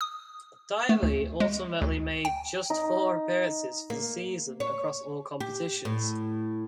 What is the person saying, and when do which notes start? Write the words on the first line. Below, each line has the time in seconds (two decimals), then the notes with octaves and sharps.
Diaby ultimately made just four appearances for the season across all competitions.
0.01 D#6
0.89 A3
1.03 D2
1.40 G#3
1.82 D2
2.25 G5
2.70 D#4
3.90 A#3
4.60 C#5
5.40 G4
5.85 A2